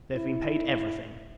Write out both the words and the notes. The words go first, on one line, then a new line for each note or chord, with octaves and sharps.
They have been paid every thing.
E4